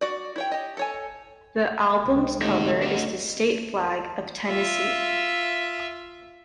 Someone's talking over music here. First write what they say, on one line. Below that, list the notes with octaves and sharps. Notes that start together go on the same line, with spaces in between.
The album's cover is the state flag of Tennessee.
F#4 D5
E4 C#5 G5
G4 D#5
A4 C#5 G#5
C#2 C3 B3 C4
G2 D3 G#3 A3 C4 D#4 D#5
D4 F#4
F4 E5